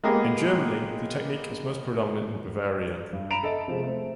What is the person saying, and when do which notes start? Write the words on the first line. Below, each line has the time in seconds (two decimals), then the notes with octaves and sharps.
In Germany, the technique is most predominant in Bavaria.
0.04 G#3 A#3 B3 G4 G#4 D#5
3.13 G2
3.30 A#5 B5 D7 E7 F7
3.43 A4 D#5 E5 A5
3.68 C3 F3 G#3
3.83 A3 C4